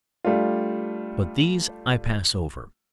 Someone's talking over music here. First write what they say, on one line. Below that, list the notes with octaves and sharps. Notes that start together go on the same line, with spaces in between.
But these I pass over.
G3 A3 D4 F4